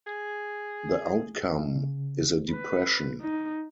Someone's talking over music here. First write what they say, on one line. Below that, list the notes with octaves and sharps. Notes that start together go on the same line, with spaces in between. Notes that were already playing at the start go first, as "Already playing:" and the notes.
The outcome is a depression.
G#4
C#3
B4
D#4